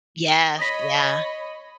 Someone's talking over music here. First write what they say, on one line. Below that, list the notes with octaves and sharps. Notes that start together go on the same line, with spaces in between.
Yes, yeah.
C#5 D#5 B5 D#6 A#6 B6